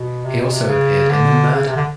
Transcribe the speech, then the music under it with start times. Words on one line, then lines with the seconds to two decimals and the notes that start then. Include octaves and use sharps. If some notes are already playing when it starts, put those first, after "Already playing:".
He also appeared in the Murder!
Already playing: B2
0.25 C3
0.39 B2
0.53 C3
0.67 C#3
1.10 D3
1.53 C#3
1.68 C3
1.76 D3